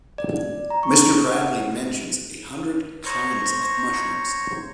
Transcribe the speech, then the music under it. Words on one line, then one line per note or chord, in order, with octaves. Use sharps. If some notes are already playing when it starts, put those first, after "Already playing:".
Mr. Bradley mentions a hundred kinds of mushrooms.
D5
A#5
C#6
F#5
C5 C#5 A#5 C#6